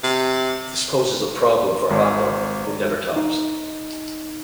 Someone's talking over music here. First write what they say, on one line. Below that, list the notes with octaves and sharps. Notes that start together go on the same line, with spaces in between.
This poses a problem for Harpo, who never talks.
C3
G#1
D#4